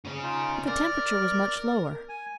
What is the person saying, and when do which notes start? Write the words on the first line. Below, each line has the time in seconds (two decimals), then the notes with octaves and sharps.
But the temperature was much lower.
0.05 C#4 G#4
0.22 D#4 F4
0.67 A#4 D5 F6
2.09 G#5